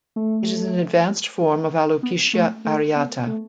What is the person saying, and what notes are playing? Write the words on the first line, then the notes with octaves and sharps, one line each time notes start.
It is an advanced form of alopecia areata.
A3
B3
A3
A3
B3
A3